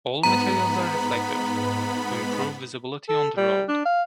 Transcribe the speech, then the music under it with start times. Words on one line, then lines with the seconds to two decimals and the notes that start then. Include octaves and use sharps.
All materials are reflective, to improve visibility on the road.
0.23 G#2 B3 A#5 B5
3.09 A4
3.37 G3
3.69 D4
3.85 F5